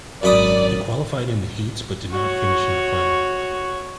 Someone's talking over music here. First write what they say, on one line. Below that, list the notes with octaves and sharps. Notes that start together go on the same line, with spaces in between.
He qualified in the heats but did not finish in the final.
G#1 F#2 D5 B5 D#6
F#4 C#5